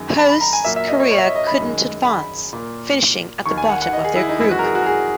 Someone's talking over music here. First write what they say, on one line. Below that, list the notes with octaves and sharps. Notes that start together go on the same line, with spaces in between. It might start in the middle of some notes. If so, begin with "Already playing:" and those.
Hosts Korea couldn't advance, finishing at the bottom of their group.
Already playing: F#2 D#3 G#3
B5
B5
A#5
G#5
A#2 F#3 A#3 E5
E5
D#5
C#5
C#5
E5
D#5
D#5
B5
F#2 D#3 G#3
B5
A#2 A#3
D#2 D#3 A#3 C#6
G#5
F#5
F#5
D#5
G#4
E4
D#4
F#2 E3 G#3 E4
F#4
A#4
G#4
F#4
A#4
G#4